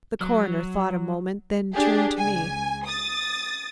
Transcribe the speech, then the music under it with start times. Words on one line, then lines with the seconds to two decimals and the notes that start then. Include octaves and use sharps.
The coroner thought a moment, then turned to me.
0.21 F#3
1.73 D4 G4 G#4
2.17 C#2 G#5
2.86 D#6 A6